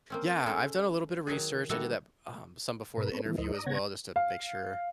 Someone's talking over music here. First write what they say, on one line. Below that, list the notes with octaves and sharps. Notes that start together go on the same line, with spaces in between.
Yeah, I've done a little bit of research. I did that, um, some before the interview as well just to make sure
A#3 C4 C#4
G#3 C#4 A4 C5
D#3 F#3 F#4 G#4
D3 D#3 G3 A3 F#4 A4
G#2 B2 A#4 B4
B3 C4 A4 B4 C#5
D#3 E3 G3 A3 B3 E4
D2 F3 E4 A#4 C5 D#5
D5 A#5 D#6
C#3 B3 C#5 F#5 G#6 A#6
F5